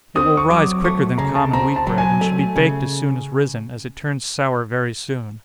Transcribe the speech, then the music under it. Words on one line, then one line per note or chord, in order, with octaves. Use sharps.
It will rise quicker than common wheat bread, and should be baked as soon as risen, as it turns sour very soon.
C4 D#6
C#6
F#3 D6
A3 C#6
C#3 A#5
A5
C4 A#5
A5
F#3
G#5
A3
C#3